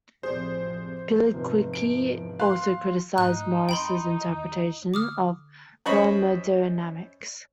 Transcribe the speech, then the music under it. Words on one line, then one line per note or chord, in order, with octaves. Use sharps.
Pigliucci also criticized Morris' interpretation of thermodynamics.
A1 F2 C3 G#4 C5 D5
F1 E2 G#2 F3
D7
F5 C6 F#6
G#2 A3 D#4 F#6
F2 G5 B5 C6
E2 D#3
D3 D6 D#6 F6
F#2 C5 C#5 D#5 B5 C#6